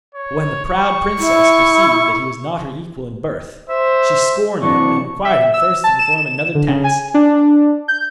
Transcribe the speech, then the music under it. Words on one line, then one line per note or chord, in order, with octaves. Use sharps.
But when the proud princess perceived that he was not her equal in birth, she scorned him, and required him first to perform another task.
C#5
C#6
E4
C5 E5
C3 E3 F#3 D4 C#6
E5
E6
A5
E7
D3
C#3
G#5
D4
G6